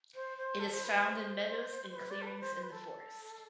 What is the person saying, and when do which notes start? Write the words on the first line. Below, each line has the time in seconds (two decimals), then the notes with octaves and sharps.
It is found in meadows and clearings in the forest.
0.15 C5
0.38 C5
0.60 A4
0.72 C5
0.83 B4
1.06 C5
1.91 C5
1.96 B4
2.10 D5
2.22 A4
2.26 B4
2.40 C5
2.56 C5
2.63 B4
2.72 A4